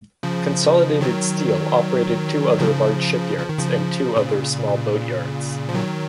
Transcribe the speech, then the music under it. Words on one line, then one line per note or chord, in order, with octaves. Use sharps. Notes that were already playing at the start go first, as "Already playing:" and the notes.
Consolidated Steel operated two other large shipyards and two other small boatyards.
C#3 F3
D#3 F#3
C#3 F3
F3
D#3
C#3 F3
A#2 C#3
F3
D#3 F#3